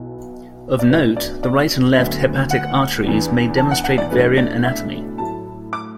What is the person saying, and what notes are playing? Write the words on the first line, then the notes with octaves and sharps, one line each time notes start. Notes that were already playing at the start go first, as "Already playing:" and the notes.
Of note, the right and left hepatic arteries may demonstrate variant anatomy.
Already playing: B1 B2 B3 E4
D5
B1 B2 A3 D4 B4
D5
D5
D2 D3 F#3 B3 E5
F#5
E2 E3 D4
A5
F#5
F#5
D5
B1 A2 F#3 A3 D4 B4
D5
E5
A2 F#3 A3 E4 A5
D6